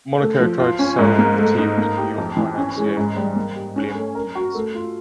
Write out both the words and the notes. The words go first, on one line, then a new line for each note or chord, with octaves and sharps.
Monaco tried to sell the team to New York financier William Pease.
A3
F3
F4
C#4
G#2
A#3
A3
D#4
A#3
G4
F2
E3
C#4
G#3
G#2
G3
A#3
G4
C#4
A3
A#4
F#4
A3
F4